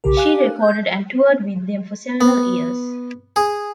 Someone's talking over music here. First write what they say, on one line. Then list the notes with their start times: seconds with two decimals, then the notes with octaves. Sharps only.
She recorded and toured with them for several years.
0.04 B1 C#3 G4 A#4
0.17 F5 G#5 F#6
0.60 G6
2.21 B3
3.36 G#4